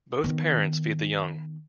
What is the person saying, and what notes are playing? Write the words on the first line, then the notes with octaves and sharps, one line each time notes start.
Both parents feed the young.
D#3 B3